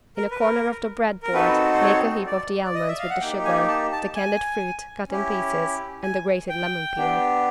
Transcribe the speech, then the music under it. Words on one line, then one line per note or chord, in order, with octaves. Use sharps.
In a corner of the bread board make a heap of the almonds with the sugar, the candied fruit cut in pieces and the grated lemon peel.
A#4
B4
A#4
A#4
C4 D#4 F#4 A4 B4
C5
C#5
D5
D5
D#5
E5
F5
F#5
A#3 D#4 G4 G5
G#5
A5
A5
G#5
C#4 E4 G4
G#5
G5
B3 D4 G4